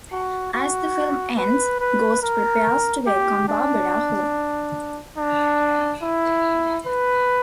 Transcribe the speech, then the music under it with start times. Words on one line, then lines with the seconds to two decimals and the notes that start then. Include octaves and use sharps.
As the film ends, Ghost prepares to welcome Barbara home.
0.12 F#4
0.54 F#4
1.38 B4
1.80 B4
2.23 A#4
3.06 G4
3.48 D4
5.17 D4
6.02 E4
6.86 B4